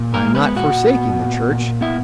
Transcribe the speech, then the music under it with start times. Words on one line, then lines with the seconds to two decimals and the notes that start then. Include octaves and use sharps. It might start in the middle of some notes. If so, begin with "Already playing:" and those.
I am not forsaking the Church.
Already playing: A#2
0.14 A#3 A#4
0.25 G#3
0.35 B3 B4
0.56 A#2 F#4 F#5
0.87 B3
1.19 A#2
1.50 A#2
1.81 B3 E4 E5